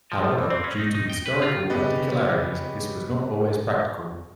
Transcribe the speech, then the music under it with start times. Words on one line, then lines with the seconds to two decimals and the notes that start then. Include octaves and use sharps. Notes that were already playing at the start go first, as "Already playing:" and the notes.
However, due to historical particularities, this was not always practical.
0.12 F3
0.24 F3
0.38 E3
0.50 C4
0.64 C#4
0.80 D#4
0.94 D#4
1.10 G5
1.26 B4
1.42 F4
1.70 C#3 B3 G4 B4 D#5 A6